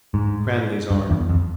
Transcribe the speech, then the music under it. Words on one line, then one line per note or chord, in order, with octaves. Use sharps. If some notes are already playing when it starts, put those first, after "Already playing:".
Cranly's arm.
G#2
G2
E2
F2